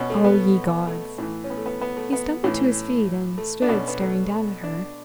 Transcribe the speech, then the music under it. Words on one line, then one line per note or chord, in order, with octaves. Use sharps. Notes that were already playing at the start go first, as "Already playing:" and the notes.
"Oh, ye gods!" He stumbled to his feet and stood staring down at her.
Already playing: B2 C#4
A3
B3
A3
A2 E3
C#4
B3
A3
B3
B3
A3
B3
A2 E3 C#4
A3
D4
B2
C#4
B3
A3
D4